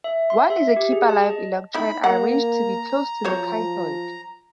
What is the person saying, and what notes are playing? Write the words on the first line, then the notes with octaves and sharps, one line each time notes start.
One is a keep-alive electrode, arranged to be close to the cathode.
E5
C6
E5
G4
G#4
A5
D#5
D#4 E4 B5
A#3 F#5 A#5
F3 F#3 C5 C#5